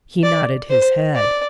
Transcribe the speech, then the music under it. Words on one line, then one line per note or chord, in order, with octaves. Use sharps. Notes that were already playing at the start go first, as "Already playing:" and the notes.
He nodded his head.
D5
C5
D5